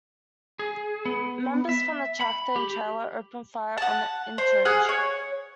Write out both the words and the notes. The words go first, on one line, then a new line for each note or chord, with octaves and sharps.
Members from the tractor and trailer opened fire on the entourage.
G#4
B3
E5
B5
G4
F#5 A5
C5
G#4 F#5 F6
C#5